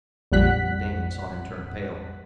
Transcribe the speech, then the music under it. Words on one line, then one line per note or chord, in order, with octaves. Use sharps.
Mr. Damon saw him turn pale.
A#1 F2 G3 F#5 F#6 B6